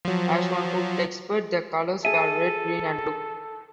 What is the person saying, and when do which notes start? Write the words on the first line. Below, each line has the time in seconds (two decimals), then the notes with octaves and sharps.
As one would expect, the colors were red, green, and blue.
0.05 F3 F#3
2.05 G#4 A4 E5 D#7